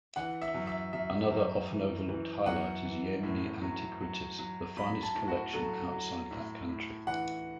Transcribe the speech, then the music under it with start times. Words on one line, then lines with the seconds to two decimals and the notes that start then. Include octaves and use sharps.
Another often overlooked highlight is Yemeni antiquities, the finest collection outside that country.
0.16 E3 F#5
0.42 E5
0.54 F#2
0.67 E5
0.93 F#2 E5
1.31 F#2
1.70 E3
2.08 E3
2.46 F#2 F#5
2.85 E3
3.23 A2
3.62 F#3
4.01 F#3
4.39 F#3
4.77 F#3 B5
5.03 A5
5.15 A2
5.28 F#4
5.53 F#3 A4
5.92 F#3
6.31 A2
6.69 A2
7.07 E3 F#5